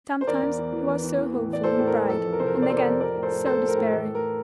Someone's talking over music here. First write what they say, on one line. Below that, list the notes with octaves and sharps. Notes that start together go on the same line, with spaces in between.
Sometimes he was so hopeful and bright, and again so despairing.
C5
E2 A#4 D5
E2
E2
E3
E3
E2
E3
A2
E3
D5
E3 A4 C5
A2
A#4
E3
F2 A4
F3
A#4
C3 C5
A#4
C3 C5
D5
F2 A4 C5
A#4 D5
F2
F3 A#4 D5
A2
A4 C5
A2
A2 A4 C5
A2
A#4
A2
E3 A4
E3
A#4